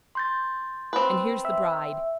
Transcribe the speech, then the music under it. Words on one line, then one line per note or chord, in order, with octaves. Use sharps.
And here's the Bride!
C6 G6 A6
C4 B4
E5